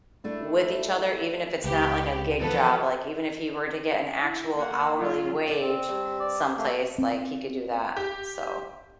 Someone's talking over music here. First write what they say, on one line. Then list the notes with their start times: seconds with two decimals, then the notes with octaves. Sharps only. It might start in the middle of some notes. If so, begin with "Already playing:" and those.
with each other, even if it's not like a gig job. Like, even if he were to get an actual hourly wage someplace, like, he could do that. So
0.24 A3 D4 E4
1.64 C#2 G4 B4
2.40 E3 F3 B3 F#4 A4 B4
4.20 E4
4.57 A#3 F#5
4.99 F#3 F4
5.48 D5
5.61 C4
5.89 G2
6.20 D5
6.58 A3 A#3
6.98 C4
7.97 G4